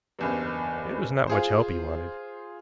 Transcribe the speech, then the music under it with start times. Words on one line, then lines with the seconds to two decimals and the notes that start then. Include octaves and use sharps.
It was not much help he wanted.
0.19 F#1 E2 G2
1.27 F4 G#4 C5